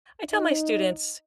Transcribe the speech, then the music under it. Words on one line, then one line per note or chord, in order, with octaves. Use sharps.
I tell my students,
D#4